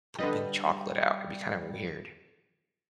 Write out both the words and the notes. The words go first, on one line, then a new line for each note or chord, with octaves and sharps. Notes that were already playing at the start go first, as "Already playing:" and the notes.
pooping chocolate out? It'd be kinda weird.
D3 G3 B4 D#5